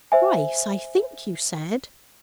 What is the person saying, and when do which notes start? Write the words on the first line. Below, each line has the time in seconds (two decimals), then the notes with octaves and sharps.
"Twice, I think you said?"
0.12 C5 E5 G#5